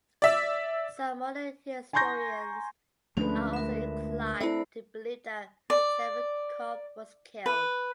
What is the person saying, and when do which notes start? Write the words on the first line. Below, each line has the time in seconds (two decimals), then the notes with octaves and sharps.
Some modern historians are also inclined to believe that Savinkov was killed.
0.22 D5 E5 E6
1.93 G#5 A#5 C6 C#6 G6 A#6
3.17 D2 F3 G#3 A3 C#4 D4 B4
3.53 A#4 E5
4.41 C4 E4 A4 C5 D5 E5 B5
5.70 D5
7.46 B4